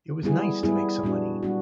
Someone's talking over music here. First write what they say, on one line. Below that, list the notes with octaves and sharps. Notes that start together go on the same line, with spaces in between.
It was nice to make some money.
G3 B3 E4 G#4
G3 B3 E4 G#4
A#2 G3 B3 D4 F#4
G3 B3 D4 F#4